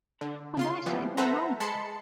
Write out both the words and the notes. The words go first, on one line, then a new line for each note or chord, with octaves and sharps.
And I say they're wrong.
D3
C#3 F4 C6
E3 F3 G3 B3
A4 B4 C5 E5 F#5 A#5
G#3 A5 B5 C6 C#7